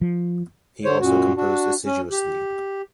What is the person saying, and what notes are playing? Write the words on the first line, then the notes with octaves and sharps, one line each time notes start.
He also composed assiduously.
F3
D3 C5 C#5
F#2 A#2 F#4
D4 F#4
C#4
G4